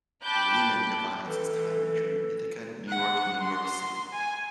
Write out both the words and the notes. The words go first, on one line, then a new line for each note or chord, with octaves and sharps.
Lehman divides his time between Ithaca, New York, and New York City.
G5 A5 B5 D6 F#6 G6
E3 A4
F#5
C6
G#5